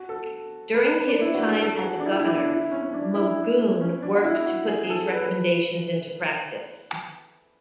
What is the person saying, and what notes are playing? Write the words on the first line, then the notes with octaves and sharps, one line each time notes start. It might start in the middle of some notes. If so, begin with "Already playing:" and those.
During his time as a governor, Magoon worked to put these recommendations into practice.
Already playing: F#4
A4
B4
D4
E4
F#4
G#4
A4
F#4
G#4
D4
E4
E4
D4
E4
C#4
C#4
D4
E4
C#4
D4
F#4
E4
F#4
G#4
G#4
A4
B4